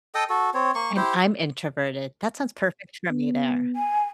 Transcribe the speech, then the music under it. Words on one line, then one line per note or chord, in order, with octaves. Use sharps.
And I'm introverted. That sounds perfect for me there.
A4 D#5 G5 D#6
F#4 A4
C4 C#5
A#3 C#6
E4 G4 C5
B3
G#5